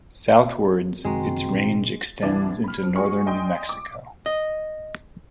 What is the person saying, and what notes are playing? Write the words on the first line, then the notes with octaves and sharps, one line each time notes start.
Southwards, its range extends into northern New Mexico.
F#2 C3 D#3 F3 G#3 C4 F#4 A#5
A#2 C#3 G3
C2 E3 D4 G#6 A6
B5 F6
F2
F#4 G#4 C#6
D5 D#5 G5 G#5 C6 D#6
D6
D#5